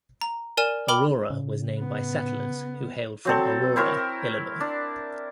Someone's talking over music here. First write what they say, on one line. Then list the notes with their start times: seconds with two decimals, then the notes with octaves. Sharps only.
Aurora was named by settlers who hailed from Aurora, Illinois.
0.21 A#5
0.57 A#4 D5 G#5 F6 D#7 E7
0.88 G5 B5 D6 F6 G7
1.30 A2 C#3
1.79 B3
3.25 F#3 C4 A4
3.76 C4 E4 A#4 C#5
4.61 D4